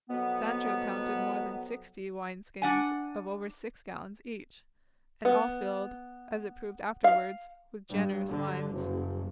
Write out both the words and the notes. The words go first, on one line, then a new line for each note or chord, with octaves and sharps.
Sancho counted more than sixty wine skins of over six gallons each, and all filled, as it proved afterwards, with generous wines.
F2 B2 F#3 B3
D4 F#5 G#5
B3
F5
G2
D3
F#1